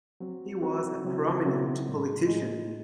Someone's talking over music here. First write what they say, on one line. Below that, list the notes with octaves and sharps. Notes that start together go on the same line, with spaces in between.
He was a prominent politician.
F#3 C4 F#4
F#3 C4 F#4
C#3 F#3 C4 E4
C#3 F#3 C4 E4
A2 G#3 D#4
A2 G#3 D#4